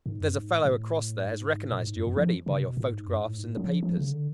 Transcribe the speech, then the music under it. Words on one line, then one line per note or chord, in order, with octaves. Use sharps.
There's a fellow across there has recognised you already by your photographs in the papers....
G#2
F#2
G#2
A2
A2
G#2
B2
A2
G#2
F#2
F#2
F3
C#3
B2
A2
G#2
F#2
G#2
A2
G#2
A2
F#3
F3
F3
C#3
D3